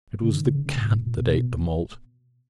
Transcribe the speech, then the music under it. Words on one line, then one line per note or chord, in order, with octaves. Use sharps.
It was the cat that ate the malt.
C#3
D#3
C#3
C#3
C#3
A#2
G2
G#2
A#2
A#2
B2